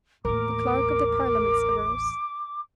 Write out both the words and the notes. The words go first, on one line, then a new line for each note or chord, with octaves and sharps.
The Clerk of the Parliaments arose.
A1 D#2 A#4 D6